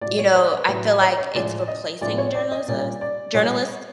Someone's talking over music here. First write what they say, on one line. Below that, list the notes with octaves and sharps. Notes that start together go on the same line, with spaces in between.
you know, I feel like it's replacing journalism journalist,
A2 F#3 D5
C#5
C5
B4
A2 F#3 B4
C#5
C#5
A2 F3 G#3 D5
D#5
A2 F3 G#3 D5
C#5
D5
D#5
A#2 G3 D5
D5
A#2 G3 C#5